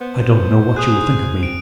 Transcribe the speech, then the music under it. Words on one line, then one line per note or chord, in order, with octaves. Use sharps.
I don't know what you will think of me.
B3 C5
G#4 D#6 F#6
C4 D7